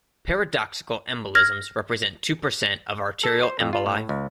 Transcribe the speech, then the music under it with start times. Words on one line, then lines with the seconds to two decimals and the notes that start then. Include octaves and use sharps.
Paradoxical embolisms represent two percent of arterial emboli.
1.35 F6 G#6 A#6
3.24 A4
3.43 C5
3.60 F2
3.73 F4
3.86 A2
4.09 C#2